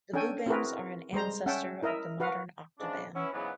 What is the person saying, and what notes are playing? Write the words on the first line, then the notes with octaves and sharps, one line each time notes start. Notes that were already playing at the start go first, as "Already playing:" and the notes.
The boobams are an ancestor of the modern octoban.
C#4 D4 A4 G5 G#5
C4 E4 F#4 G#4 A#4 B4
G3 G#3 C5 A#5
C#4 E5 F#5 G5 A5
E4 A#4 D#5 E5
F#4 B4 F5 F#5
G#2 C#3 D4
B3 C#4 E4
E2 G#2 C#3 E3 F#3 B3